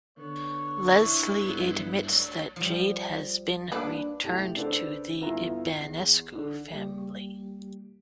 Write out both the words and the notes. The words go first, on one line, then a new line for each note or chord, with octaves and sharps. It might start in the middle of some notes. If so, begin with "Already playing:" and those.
Leslie admits that Jade has been returned to the Ibanescu family.
D3 B3 C#5
D4 E4 B4 C5
G2 B3 E4
F#3 A3 D4
F3 G3
A#3 D4 B4
F1 E4 G4 A5 F7
C#3 D4 A4 B4 C5 D5
G1 B3 E4 F4 G#5 A#5
E2 C7
D3
G3 A#3 G4